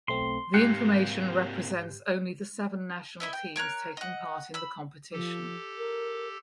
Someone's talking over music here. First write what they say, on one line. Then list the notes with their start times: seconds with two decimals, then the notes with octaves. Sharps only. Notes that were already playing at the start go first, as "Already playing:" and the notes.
The information represents only the seven national teams taking part in the competition.
0.08 B1 A3 C4 C6
0.54 G#2 C3 A#3 G4 F#6 G6 C7 C#7
3.20 E4 D#5 E5
3.33 G5
3.56 A#4 C#5 A#5 F#6
3.97 D#5 F#5
4.54 B5 E6
5.13 F3 G4 A4
5.78 A#4